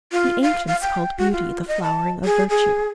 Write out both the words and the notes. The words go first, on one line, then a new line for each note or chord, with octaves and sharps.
The ancients called beauty the flowering of virtue.
F4
F5
F5
G5
F#4
F4
D#5
A5
G#4
G#4